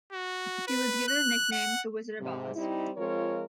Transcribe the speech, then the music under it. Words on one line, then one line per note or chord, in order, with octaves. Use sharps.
He was given the nickname "the Wizard of Os".
F#4
B4
F#6
F#5
G#2 C3
G3 C4 D#4 E4
F3 G#3 C4 F4 A#4 C#5